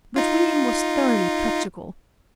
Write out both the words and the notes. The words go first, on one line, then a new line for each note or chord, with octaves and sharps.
But William was thoroughly practical.
D#4 F4